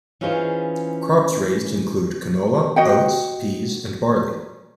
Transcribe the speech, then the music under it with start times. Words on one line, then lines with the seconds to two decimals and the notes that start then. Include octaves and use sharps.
Crops raised include canola, oats, peas and barley.
0.21 E3 C#4 D#4 F4 G#4 C5
2.76 F#4 D#5 F#5 G5